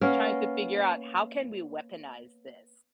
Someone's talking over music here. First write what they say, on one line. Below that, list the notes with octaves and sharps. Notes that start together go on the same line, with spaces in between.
trying to figure out, "How can we weaponize this?"
A#3 B3 C#4 A#4